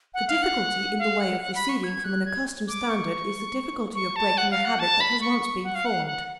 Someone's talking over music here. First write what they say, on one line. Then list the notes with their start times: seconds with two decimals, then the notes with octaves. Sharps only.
The difficulty in the way of receding from an accustomed standard is the difficulty of breaking a habit that has once been formed.
0.14 F#5
0.28 F5
0.43 F#5
0.99 F5
1.20 F#5
1.41 F#5
1.55 B5
1.69 C#6
1.84 G#6
2.04 F#6
2.26 G#6
2.68 D6
2.89 C#6
3.95 C#6
4.16 A5
4.38 F#5
4.51 F5
4.65 F#5
4.79 A5
5.00 B5
5.21 C#6
5.64 F#5
5.75 F5
5.85 F#5
6.06 F#5